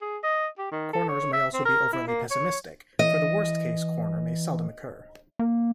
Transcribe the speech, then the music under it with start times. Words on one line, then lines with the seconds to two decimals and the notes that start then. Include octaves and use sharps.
Corners may also be overly pessimistic, for the worst case corner may seldom occur.
0.01 G#4
0.23 D#5
0.59 G4
0.72 D#3
0.93 A4
1.09 C#5
1.33 E5
1.54 C4
1.65 A#4
1.93 E4
2.07 A#3
2.31 C#5
2.99 E3 D#5
5.39 A#3